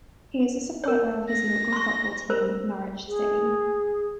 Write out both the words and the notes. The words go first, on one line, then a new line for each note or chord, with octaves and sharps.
He is a supporter of his local football team Norwich City.
A#4 C#5
A#6
C6 C#6
A#4 C5
G#4